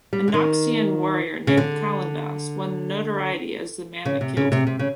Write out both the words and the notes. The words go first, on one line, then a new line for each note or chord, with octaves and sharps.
A Naxian warrior named Calondas won notoriety as the man that killed him.
G3
D3
D#3
C#3
D3
C#3
C3
C#3
C3
C3
C#3